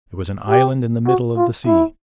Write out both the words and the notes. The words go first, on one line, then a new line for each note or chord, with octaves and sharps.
It was an island in the middle of the sea.
G4
F#4
F4
E4